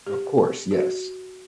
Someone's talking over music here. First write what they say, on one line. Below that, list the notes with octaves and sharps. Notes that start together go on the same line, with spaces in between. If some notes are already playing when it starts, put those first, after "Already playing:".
Of course, yes.
G4
F#4